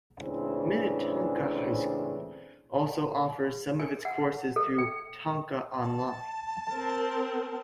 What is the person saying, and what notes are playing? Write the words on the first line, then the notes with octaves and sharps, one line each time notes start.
Minnetonka High School also offers some of its courses through Tonka Online.
C#2 A2 C#3 E3 C4 D4
G#5
F#5
A4
G5
A5
C4 A#4